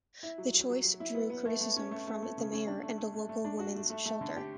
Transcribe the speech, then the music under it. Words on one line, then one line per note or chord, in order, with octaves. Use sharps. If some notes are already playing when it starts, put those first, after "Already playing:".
The choice drew criticism from the mayor and a local women's shelter.
E4
F#3
F#3
F#3
F#3
E4
B3
B3
A3
A3
C#4
A3
A3
A3
C#3
C#4
D4
A3
A3
A3
A3
D4
F#4
A3
A3
A3
D3
G4